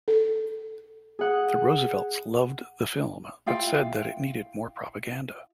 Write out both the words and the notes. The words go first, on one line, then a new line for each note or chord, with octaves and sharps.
The Roosevelts loved the film but said that it needed more propaganda.
A4
G#4 F#5 D#6
E4 F4 F5 G5